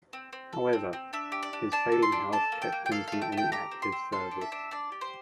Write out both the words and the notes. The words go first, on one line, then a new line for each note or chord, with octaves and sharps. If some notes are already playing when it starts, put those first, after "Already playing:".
However, his failing health kept him from any active service.
C4
C4
A4
C4
C4
D4 E5
G4
D5
D4
D4 A5
A4
C6
D4
A4 A5
A#3
G5
A#3
G5
A4 F5
A3 F5
G5
A3
G5
G4 A#5
C4
C6
C4
A4 C6
D4
E5
D4
D4 D5
G4
C5